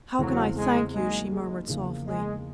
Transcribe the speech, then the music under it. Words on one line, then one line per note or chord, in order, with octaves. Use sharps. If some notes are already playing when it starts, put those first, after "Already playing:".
"How can I thank you?" she murmured, softly.
E2 C#3 E3 F#3 A3 C4
G#3
F#3 G#3 A#3 D#4
G#3
E2 C#3 F3 A#3
G#3